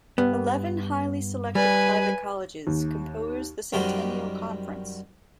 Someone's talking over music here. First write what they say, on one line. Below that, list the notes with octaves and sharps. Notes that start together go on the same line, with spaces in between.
Eleven highly selective private colleges compose the Centennial Conference.
G2 B3
G3 B4 G#5
D#2
F#2 D#3 G3 F#4 G4 C5